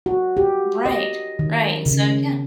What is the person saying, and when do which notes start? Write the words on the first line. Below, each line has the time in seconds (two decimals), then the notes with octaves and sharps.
Right, right, and so, yeah.
0.06 F#4
0.37 G4
0.86 D#5
1.39 D#3
1.86 C#3